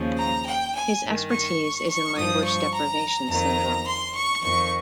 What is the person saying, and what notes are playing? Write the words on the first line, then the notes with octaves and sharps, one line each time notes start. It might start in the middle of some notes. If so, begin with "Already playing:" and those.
His expertise is in language deprivation syndrome.
Already playing: D#2 C#3 F3
A#5
G5
G#5
G2 D#3
C#6
C#6
G2 F3 D#6
C#6
A#5
F2 D#3 A#5
C6
C#6
F2 D#3 C#6